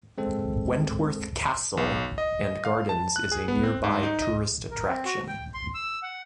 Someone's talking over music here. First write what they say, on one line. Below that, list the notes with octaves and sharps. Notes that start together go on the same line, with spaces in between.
Wentworth Castle and gardens is a nearby tourist attraction.
G#3 C4 A4
B1
D#5
F5
A5
F#6
G#4
B3
C4
G#2
D#4
D#5
A#4
C4
F#4
G5
C6
E6
F#5